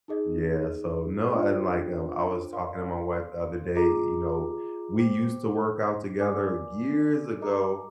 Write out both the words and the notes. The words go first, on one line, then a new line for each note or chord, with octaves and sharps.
yeah, so no, and, like, I w I was talking to my wife the other day, you know, we used to work out together years ago,
D#4 G#4 D#5
D4 F4 C5 G5
A#4 D5 F5 C6
F4 G#4 D#5 A#5 D6
C5 G5 D6
A#4 D5 G#5 D6
A#4 D#5 A#5 D6